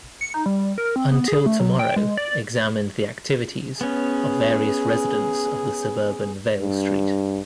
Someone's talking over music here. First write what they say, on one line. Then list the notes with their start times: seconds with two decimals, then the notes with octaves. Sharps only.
"Until Tomorrow" examined the activities of various residents of the suburban Vale Street.
0.21 C#7
0.34 D#4
0.46 G3
0.78 A#4
0.96 C4
1.12 B3
1.28 G#4
1.46 A3
1.60 F#3
1.79 G5
1.96 G#3
2.17 D5
3.81 B3 C#4 G#4
6.61 G2